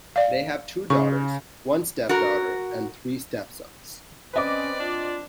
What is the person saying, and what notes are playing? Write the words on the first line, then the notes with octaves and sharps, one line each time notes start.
They have two daughters, one stepdaughter, and three stepsons.
D5 F5
C#3 C#6
F#4 A#4
C4 C#4 B4 C5 D5 D#5 D6
D4 F4